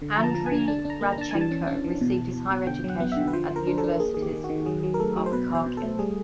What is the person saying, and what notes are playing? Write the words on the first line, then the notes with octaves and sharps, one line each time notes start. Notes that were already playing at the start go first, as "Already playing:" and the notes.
Andriy Radchenko received his higher education at the universities of Kharkiv.
D3
F3 A#5
A5
F3
G#5
D3
D4 A5
D4
A#5
A#3
A#5
D4 A5
E3 G#5
A5
C#4
C#4
E3
B2
B2
B2
B2
D3 G5
F#3
F#5
B3
D3 E5
B4
F3 C5
F3
A#4
D4
A4
D4
A#3 G#4
D#3 G#4
G4
D#3
F#4
D#3
F#3 G#4
F#3
A#4
A3 A4
F#3
C5
B2 B4
B2 C5
B2
A4
A3
G3 G#4